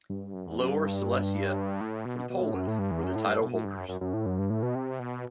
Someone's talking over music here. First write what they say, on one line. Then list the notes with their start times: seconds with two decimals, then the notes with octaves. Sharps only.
Lower Silesia from Poland were the title holders.
0.10 G2
0.34 F#2
0.47 E2
0.59 F#2
0.71 G2
1.81 A2
2.05 B2
2.30 B2
2.43 A2
2.54 F#2
2.67 A2
2.79 G2
2.91 E2
3.04 F#2
3.16 A2
3.29 G2
3.41 B2
3.53 A2
3.64 G2
3.77 F#2
3.89 F#2
4.01 F#2
4.14 A2
4.26 F#2
4.39 G2
4.50 A2
4.63 B2
4.75 C3
4.99 B2